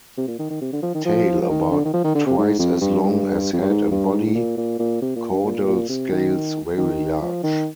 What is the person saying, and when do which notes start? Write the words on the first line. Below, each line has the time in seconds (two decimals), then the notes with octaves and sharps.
Tail about twice as long as head and body; caudal scales very large.
0.17 C3
0.28 A#2
0.39 D#3
0.50 D#3
0.61 C3
0.73 D3
0.83 F3
0.94 D#3
1.05 F3
1.42 F3
1.49 D#3
1.71 D3
1.85 D#3
1.93 F3
2.04 D#3
2.15 D3
2.26 C3
2.38 G#2
2.59 F2
2.81 G2
3.03 G2
3.53 F2
3.61 G2
3.70 G#2
3.91 G2
4.13 G#2
4.26 G#2
4.35 A#2
4.57 A#2
4.79 A#2
5.02 C3
5.16 A#2
5.31 G2
5.46 A#2
5.68 A#2
5.89 C3
6.12 D#3
6.77 D#3
7.22 F3
7.43 D#3